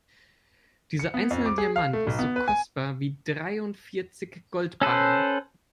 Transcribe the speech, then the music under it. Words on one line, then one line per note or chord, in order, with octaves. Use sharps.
Dieser einzelne Diamant ist so kostbar wie dreiundvierzig Goldbarren.
C#7
B3
F2
D6
G#4
F5
A3
B1
B3
B4
G#5
C#4 A4 B4 C5